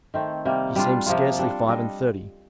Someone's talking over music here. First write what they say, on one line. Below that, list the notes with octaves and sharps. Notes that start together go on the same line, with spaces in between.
He seemed scarcely five and thirty.
D#3 A3 C4
C3 G3 A#3
G3 D4 F4
C3 F3 A#3 F4
G3 D4 A4 D5
G3 D4 A4 D#5